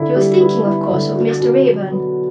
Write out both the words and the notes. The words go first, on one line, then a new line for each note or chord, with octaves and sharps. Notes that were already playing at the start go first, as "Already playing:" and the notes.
She was thinking, of course, of Mr. Raeburn.
Already playing: D3 E4
G3
B3
E4
D3
F#4
B2
F#3
B3